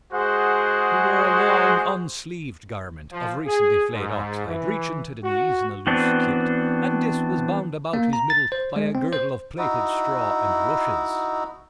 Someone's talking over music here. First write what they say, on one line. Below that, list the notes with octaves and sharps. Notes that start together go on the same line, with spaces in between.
He wore a long unsleeved garment of recently flayed oxhide reaching to the knees in a loose kilt and this was bound about his middle by a girdle of plaited straw and rushes.
G#3 F#4 G#4 C5 F#5
F3
G#4
G#2
E3
F#4
E3 B3 C4 D4 F#4
A#3
A#5
A6
C5
G#3
C4
C5
D#4 E4 F#4